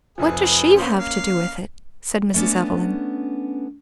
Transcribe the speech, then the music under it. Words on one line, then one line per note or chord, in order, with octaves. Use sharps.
"What does she have to do with it?" said Mrs. Evelyn.
F1 F3 G#4 B4
A#3 B3 C#4 C5
F5
A3 B3 C#4 D4